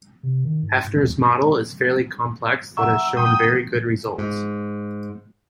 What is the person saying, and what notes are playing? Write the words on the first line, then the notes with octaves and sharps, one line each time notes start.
Hefner's model is fairly complex that has shown very good results.
C3
D#3
G#2
G#2
D#2
E5 F#5 A#5 C#6
G5 D#6
G#2